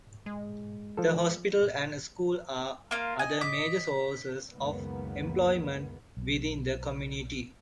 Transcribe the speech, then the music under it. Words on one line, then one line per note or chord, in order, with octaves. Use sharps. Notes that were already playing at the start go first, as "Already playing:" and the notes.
The hospital and school are other major sources of employment within the community.
G#3
F3 A4
A#3 F4 A#4
D#5 G#5
D6 B6
C#2 F#2 D#3 A#3 B3
B1